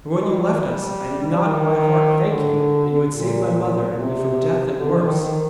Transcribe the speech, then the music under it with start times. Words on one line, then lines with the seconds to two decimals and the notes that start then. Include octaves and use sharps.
'For when you left us I did not in my heart thank ye that you had saved my mother and me from death and worse.
0.21 G#3
0.31 G3
0.42 F3
0.52 D#3
0.62 G3
1.35 F3
1.46 D#3
2.28 D3
3.12 A#2
3.95 C3
4.79 D3
4.93 F3
5.06 D#3
5.20 D#3